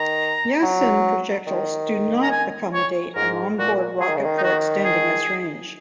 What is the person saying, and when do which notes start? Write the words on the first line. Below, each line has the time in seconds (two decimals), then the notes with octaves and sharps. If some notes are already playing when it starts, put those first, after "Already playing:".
Yasin projectiles do not accommodate an onboard rocket for extending its range.
Already playing: D#3 A#5
0.63 F#3
1.47 D#3
2.23 A#5
2.31 G#5
2.74 C#5
3.16 G#2 A#4
3.58 A#2 F#4
4.01 F#3 G#4
4.08 D#3
4.17 C#3
4.25 D#3
4.38 D#4
4.43 F#4
4.85 G#4